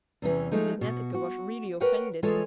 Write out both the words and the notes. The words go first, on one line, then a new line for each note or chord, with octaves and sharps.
But Netteke was really offended.
E2 C3 E3 C#4
F3 G#3 A3 D#4
B2 F#4
F#4
A#4 B4 C#5 F#5 G5
E3 G#3 F4 A4 C#5 D#5